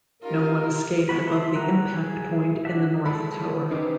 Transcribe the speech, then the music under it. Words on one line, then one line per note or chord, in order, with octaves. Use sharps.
No one escaped above the impact point in the North Tower.
C#4 D#4 F4 G4 A#4
G#3 B3 F#4 B5
E5 A5 C6
G3 F#4 A#5 F#6
G#4
D4 F#4 A4 E5
G#3 E4 A4 B5
C#4 D#4 G4 B4 C5